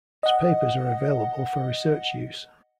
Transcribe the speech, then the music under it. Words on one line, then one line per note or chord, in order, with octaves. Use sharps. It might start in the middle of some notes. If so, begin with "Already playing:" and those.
His papers are available for research use.
D#5 F#5